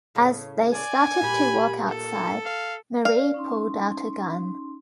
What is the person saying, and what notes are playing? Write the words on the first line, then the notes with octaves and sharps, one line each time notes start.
As they started to walk outside, Marie pulled out a gun.
A2 C#3
D5 G#5
A#2 G4 B5
A4
F5
D5 F5
C#4 D#4 C6